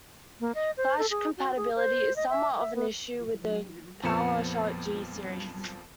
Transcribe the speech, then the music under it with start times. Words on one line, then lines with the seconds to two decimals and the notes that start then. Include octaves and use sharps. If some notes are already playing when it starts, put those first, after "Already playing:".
Flash compatibility is somewhat of an issue with the Powershot G series.
0.40 A#3
0.55 D#5
0.77 C5
0.98 A4
1.11 G#4
1.37 F#4
1.56 G#4
1.76 C5
2.16 D#5
2.30 E5
2.58 E5
2.75 B3
4.03 F2 A#2 F3 B3 C#7 E7